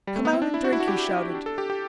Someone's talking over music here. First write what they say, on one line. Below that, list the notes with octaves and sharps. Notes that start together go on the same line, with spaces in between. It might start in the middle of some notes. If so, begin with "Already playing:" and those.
"Come out and drink," he shouted.
G3
A3
B3
C4
D4
E4
F#4
E4
F#4
G4
E4
D4
A4
G4
G4